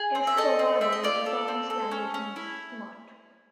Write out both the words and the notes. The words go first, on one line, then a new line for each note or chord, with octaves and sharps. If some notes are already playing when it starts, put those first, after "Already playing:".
'Escovado' is a common slang which means 'smart'.
Already playing: G#4
C4
E5
A4 D#5
C4
C4 E5
D#5
F4 D5
A4
C4
A4
C#4
C#4
E4